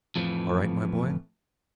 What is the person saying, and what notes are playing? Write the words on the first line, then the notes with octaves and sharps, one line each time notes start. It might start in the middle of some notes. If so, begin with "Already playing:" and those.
All right, my boy!
F2 A2 E3 F3